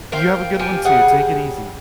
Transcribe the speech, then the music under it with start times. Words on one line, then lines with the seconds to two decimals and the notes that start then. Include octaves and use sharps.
You have a good one too, take it easy.
0.12 A#4 C5 F5 G5
0.59 F3 G4 G#5
0.85 C#3 G3 G#4 F#5